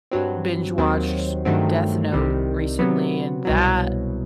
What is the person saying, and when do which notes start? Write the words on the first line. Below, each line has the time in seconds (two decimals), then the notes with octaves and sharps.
binge-watched Death Note recently and that
0.11 G2 F#3 C4
0.78 D#2 D#3 F#3 C4
1.45 G2 D#3 F#3 A3 C4
2.12 C2 C3 D#3 G3
2.79 C3 F#3 B3
3.45 C2 B2 F#3